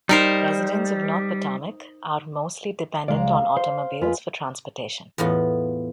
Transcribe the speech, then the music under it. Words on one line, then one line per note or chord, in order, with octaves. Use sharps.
Residents of North Potomac are mostly dependent on automobiles for transportation.
G3 D#4 A#4 C5
C#2 G#3 D5 F5 A#5
C5
F2 G#3 F4 B4 B5
E2 A2 B3 F4